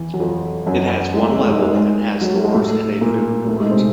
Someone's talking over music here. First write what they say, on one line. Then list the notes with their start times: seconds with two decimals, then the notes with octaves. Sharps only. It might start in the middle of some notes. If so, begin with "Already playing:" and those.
It has one level and has stores and a food court.
Already playing: E2 E3
0.14 F#3
0.20 F2 F3
0.66 F#2 F#3
1.14 G#3
1.23 A3
1.31 G#3
1.41 A3
1.49 G#2 G#3
1.60 G#2 G#3
2.21 F#3
2.32 G3
2.44 G#3
2.54 A2 A3
3.01 A#2 A#3
3.48 A2 A3
3.60 G#2 G#3
3.71 C3 C4